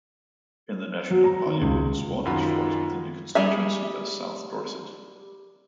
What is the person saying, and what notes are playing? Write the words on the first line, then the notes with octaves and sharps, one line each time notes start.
In the National Parliament, Swanage falls within the constituency of South Dorset.
F#3
A#5
D#3
C#2
F#2 D#3 F4 F#5 B5
G3 G#4 E5